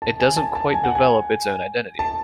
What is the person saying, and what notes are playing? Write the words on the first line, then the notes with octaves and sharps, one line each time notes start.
It doesn't quite develop its own identity.
A5
G#5
A5
A5
G#5
F#5
G#5
A5